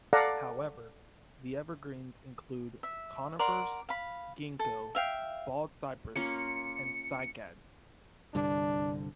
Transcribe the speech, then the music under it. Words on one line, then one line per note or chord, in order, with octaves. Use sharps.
However, the evergreens included conifers, ginkgo, bald cypress, and cycads.
A4 D5 F5 F#5 A#5
E5
A#4 D5 F#5 C6
F5 B5
A4
E5 F5 G5
A#3 C#4 F4 C#7
C2 G2 D3 D4